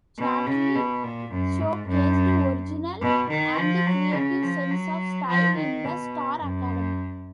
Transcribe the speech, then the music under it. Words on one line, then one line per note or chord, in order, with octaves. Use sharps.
Chatelain showcased original and creative sense of style in the Star Academy.
B2
C#3
B2
A#2
F#2
G#2
F#2
B2
D#3
F3
F#3
C#3
F3
F#3
F3
D#3
B2
F#2